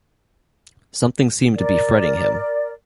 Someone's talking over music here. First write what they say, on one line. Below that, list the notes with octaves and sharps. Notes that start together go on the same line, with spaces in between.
Something seemed to be fretting him.
A#4 D5